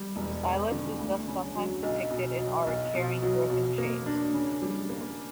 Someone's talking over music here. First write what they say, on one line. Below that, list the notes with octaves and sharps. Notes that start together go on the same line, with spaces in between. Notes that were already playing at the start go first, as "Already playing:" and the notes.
Silas is thus sometimes depicted in art carrying broken chains.
Already playing: G3
E1
E2
D3
D2
C#3
F#3
B1
B2
F#3
B1
B2
F#3
B2
A#3
D4
C#3
G3
A#3